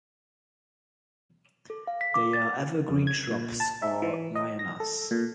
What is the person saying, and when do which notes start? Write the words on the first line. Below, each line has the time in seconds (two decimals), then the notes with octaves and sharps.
They are evergreen shrubs or lianas.
1.70 A4
1.87 F5
2.01 B6
2.14 D6
2.33 A6
2.89 F2
3.07 G#6
3.31 A#2
3.60 A5
3.82 E5
4.02 E3
4.35 D#5
4.59 A#6
4.80 A4
5.11 A#2